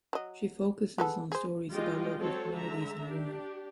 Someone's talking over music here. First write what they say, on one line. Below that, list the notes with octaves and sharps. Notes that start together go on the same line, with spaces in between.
She focuses on stories about local communities and women.
F#3 D#5
G#3 B3 A4
G#4 C5
G3 G#3 F4 G4 D#5 G5
F#3 C4 F#4 A4 C5 C#5
D3 G#3 E5 A#5
D4 G4